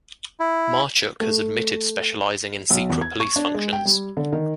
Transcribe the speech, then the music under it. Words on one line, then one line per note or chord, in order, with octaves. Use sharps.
Marchuk has admitted specializing in secret police functions.
E4
A3
B1
E2
G#6
C#6
D4
G#3
G5
G3
D3
D#3